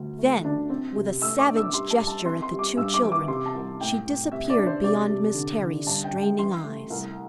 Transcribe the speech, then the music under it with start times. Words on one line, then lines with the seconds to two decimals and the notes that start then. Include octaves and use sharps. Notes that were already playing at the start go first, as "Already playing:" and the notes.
Then, with a savage gesture at the two children, she disappeared beyond Miss Terry's straining eyes.
Already playing: D2
0.18 A3
0.45 D4
0.70 C4
0.95 C3
1.21 A3 E6
1.39 D6
1.47 D4
1.56 E6
1.74 G3 C6
1.90 A5
2.00 G2
2.07 A5
2.24 C4 C6
2.42 C6
2.51 G3
2.59 D6
2.77 G2 E6
2.94 D6
3.02 E3
3.12 D6
3.28 C3 C6
3.46 A5
3.55 C2
3.81 A2 G5
4.06 A2
4.32 C3 E5
4.50 D5
4.58 D4
4.67 C5
4.84 C3 D5
5.09 C3
5.35 D3
5.60 D3
5.86 G2 A5
6.04 G5
6.12 G2
6.22 G5
6.38 E3 C6
6.64 A3
6.90 C2